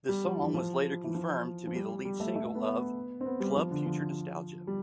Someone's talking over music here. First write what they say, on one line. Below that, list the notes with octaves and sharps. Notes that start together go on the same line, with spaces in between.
The song was later confirmed to be the lead single of "Club Future Nostalgia".
G3
F3
E3
F3
E3
F3
F3
G3
G3
A3
A3
A3
B3
B3
C4
B3
G3
F3
D3
F3
G3